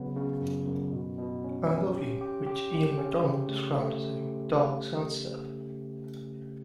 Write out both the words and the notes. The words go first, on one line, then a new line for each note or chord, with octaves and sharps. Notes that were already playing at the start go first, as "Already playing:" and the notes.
I love "you" which Ian MacDonald described as "a dark sidestep".
Already playing: C#3 F#3 B3
C#3
F#2
F#2
B2
B2
C#4
C#4
G4
G4
G4
G4
C#4
C#3
A3
A3